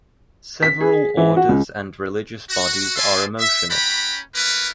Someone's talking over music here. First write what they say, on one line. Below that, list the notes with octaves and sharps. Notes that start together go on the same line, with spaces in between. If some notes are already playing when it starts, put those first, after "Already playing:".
Several orders and religious bodies are emotional.
B6
G#4
E3
F#4
C#2
F#4
D5 E5 F5 G#5 A5 C6
E5
C#4 F#4 G5 A#5 B5
A3 A#3 E4 A#4 B4